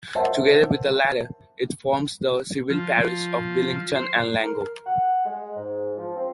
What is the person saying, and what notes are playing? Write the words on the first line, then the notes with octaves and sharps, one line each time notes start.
Together with the latter, it forms the civil parish of Billington and Langho.
A#4 C5 C#5 E5 F#5 A5
F3
C5
A#4
F#5
G#3
G#2
F3
C4